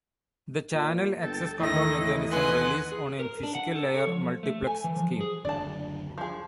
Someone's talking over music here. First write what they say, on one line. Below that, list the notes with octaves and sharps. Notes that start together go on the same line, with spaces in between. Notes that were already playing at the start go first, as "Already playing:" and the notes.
The channel access control mechanism relies on a physical layer multiplex scheme.
A#2
G1 A4 G5 A5
D#2 A2 D#3 E3 A4 D#5 A#6
A2
B4 F#5 G#5 C6
G#4
A#4
D4
F#5
A4
C#5
F3
A3
G#5
E3
F3
G#4
F#1 D2 D4 D5 A5
F3 G#4